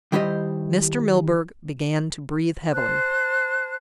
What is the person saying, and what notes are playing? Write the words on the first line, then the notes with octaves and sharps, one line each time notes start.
Mr. Milburgh began to breathe heavily.
D#3 G3 E4 G4 C5 D#5
C5 A5 F#6